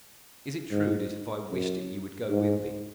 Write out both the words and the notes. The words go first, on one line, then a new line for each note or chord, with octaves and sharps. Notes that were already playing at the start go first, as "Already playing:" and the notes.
"Is it true that if I wished it you would go with me?"
G#2
F#2
G#2